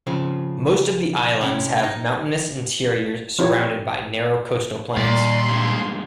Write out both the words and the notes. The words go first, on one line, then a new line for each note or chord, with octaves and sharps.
Most of the islands have mountainous interiors surrounded by narrow coastal plains.
C#3 F3 C4
C3 C#4 E4
D#4
F3 C4 E4 G4 C#5
D#2 A#2 G3 D5 C6
G2 D3 G#3